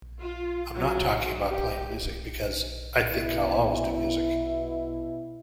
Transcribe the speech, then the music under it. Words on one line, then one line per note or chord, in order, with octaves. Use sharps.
I'm not talking about playing music because I think I'll always do music.
F4
F#3
G4
B2 E4